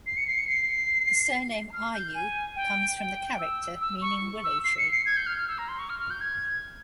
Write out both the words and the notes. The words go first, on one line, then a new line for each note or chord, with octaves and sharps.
The surname "Ryoo" comes from the character meaning willow tree.
C7
C#7
C7
C#7
C7
F6
G6
G#5
G5
G5
E6
E6
C#6
E6
C7
C#7
C7
G#6
G6
F6
F6
E6
A#5
C6
C#6
F6
F6
G6
G#6